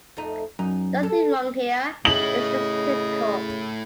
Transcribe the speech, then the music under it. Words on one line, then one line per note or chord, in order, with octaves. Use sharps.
Nothing wrong here, it's just typical.
F2 A3 D#4
F#2 D#4
A4
C#3 A3 E4 D#5 F#7